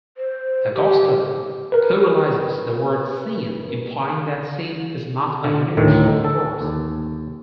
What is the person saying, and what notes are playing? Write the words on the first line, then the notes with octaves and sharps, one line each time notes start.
The gospel pluralizes the word "sin" implying that sin is not a universal force.
C5
G4
A#4 B4
D3
D2 A2 D#3
A4
D#2